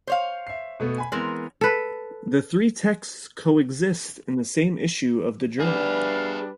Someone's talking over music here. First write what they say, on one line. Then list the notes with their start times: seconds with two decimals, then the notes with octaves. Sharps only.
The three texts coexist in the same issue of the journal.
0.07 C5 C#5 F5
0.47 E5 C7
0.80 B2 A3 B3
0.98 G#5 B5
1.12 E3 G#3 B3 C4 A#4
1.61 A4 B4
5.60 G3 D4 G#4 B4 D5 F5